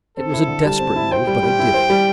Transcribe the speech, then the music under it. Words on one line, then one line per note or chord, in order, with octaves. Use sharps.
It was a desperate move, but I did it.
C4 A4
E4
D3
G3 A5
C4
E4
C5 G5
G3
G3
E4
C5
G3